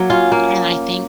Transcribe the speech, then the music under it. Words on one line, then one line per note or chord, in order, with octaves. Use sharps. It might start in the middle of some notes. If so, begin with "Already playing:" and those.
and I think
Already playing: F#3 A#3 C#5
C#4 F4
A#3